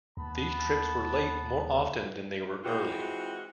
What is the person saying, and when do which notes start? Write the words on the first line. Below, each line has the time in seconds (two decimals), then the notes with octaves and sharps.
These trips were late more often than they were early.
0.17 D#2 B3 A5 B5
2.64 E3 G#3 C4 F4 F#4